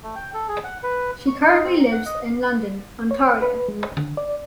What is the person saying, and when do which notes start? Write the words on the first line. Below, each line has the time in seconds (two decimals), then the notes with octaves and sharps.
She currently lives in London, Ontario.
0.03 A3
0.15 G5
0.34 A4
0.48 G#4
0.64 F#5
0.83 B4
1.27 C#6
1.42 D#4
1.65 C4
1.80 A#5
1.92 F#5
2.06 D#5
3.11 C#5
3.42 B4
3.68 G#3
3.97 D3
4.17 D5